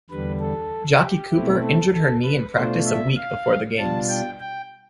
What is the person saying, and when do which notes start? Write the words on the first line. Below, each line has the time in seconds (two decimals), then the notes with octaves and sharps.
Jacqui Cooper injured her knee in practice a week before the games.
0.10 E2 D3 G3 B4
0.40 A4
1.02 G4
1.32 B2 A3 C4 E4
1.63 A4
1.94 A4
2.24 B4
2.55 B2 A3 D4 F4 C5
2.86 E5
3.16 F5
3.78 B2 G3 D4 F4 A5
4.09 G5
4.40 G5